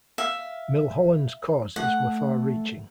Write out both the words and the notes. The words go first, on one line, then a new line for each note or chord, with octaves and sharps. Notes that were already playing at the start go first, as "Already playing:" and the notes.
Milholland's causes were far reaching.
E5 F5
A3 F#5